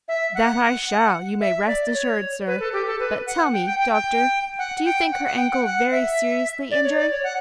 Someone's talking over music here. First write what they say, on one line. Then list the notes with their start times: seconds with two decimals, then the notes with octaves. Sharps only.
"That I shall, you may rest assured, sir; but tell me doctor, do you think her ankle very seriously injured?"
0.08 E5
0.35 F#5
1.41 E5
1.67 D5
1.94 C#5
2.47 B4
2.60 A4
2.73 G4
2.87 A4
3.00 B4
3.27 F#5
3.53 G5
3.66 G5
3.79 G5
3.93 G5
4.59 F#5
4.85 G5
5.12 F#5
5.25 F#5
5.38 G5
5.52 F#5
5.65 F#5
5.92 E5
6.71 D5
6.84 C#5
6.97 D5
7.11 C#5
7.24 F#5